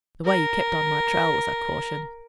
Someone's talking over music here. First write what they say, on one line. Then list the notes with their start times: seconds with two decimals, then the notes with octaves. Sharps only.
"The way you kept on my trail was a caution."
0.25 A#4